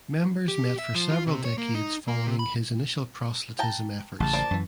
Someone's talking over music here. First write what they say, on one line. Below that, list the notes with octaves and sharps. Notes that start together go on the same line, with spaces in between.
Members met for several decades following his initial proselytism efforts.
G4
E5
F3
F4
C3
C#5
A#3
D#4
A#3
C3
B5
G5 A5 A#5
A1 C#3 A5
F3 A#3 D5
F#2 E3